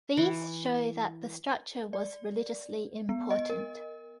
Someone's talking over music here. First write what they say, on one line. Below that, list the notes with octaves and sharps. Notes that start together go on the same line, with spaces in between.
These show that the structure was religiously important.
E3
D5
B3
D#5
A#4